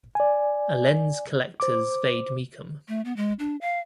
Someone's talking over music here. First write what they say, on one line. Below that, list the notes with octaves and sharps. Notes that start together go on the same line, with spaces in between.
A lens collector's vade mecum.
D5 G#5
C5 D6
A3
B3
G#3
D4
F5